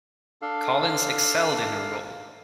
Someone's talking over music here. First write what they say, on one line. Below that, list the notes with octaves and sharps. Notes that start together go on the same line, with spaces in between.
Collins excelled in her role.
D4 A4 F5